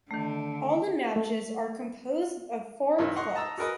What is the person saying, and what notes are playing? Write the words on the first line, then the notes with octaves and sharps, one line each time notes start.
All the matches are composed of four clubs.
D3 D#3 A3
A3
G2 C3 D#3 E3
D#4 F#5 C6 C#6
D#5 A5 A#5 E6
F#4 G#4 A#4 B4 D#5